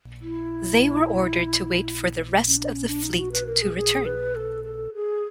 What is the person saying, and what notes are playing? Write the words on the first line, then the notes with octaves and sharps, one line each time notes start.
They were ordered to wait for the rest of the fleet to return.
E4
C#4
D4
C#4
D4
D#4
F#4
B4
A#4
G#4
G#4
B4
A4
A4
G#4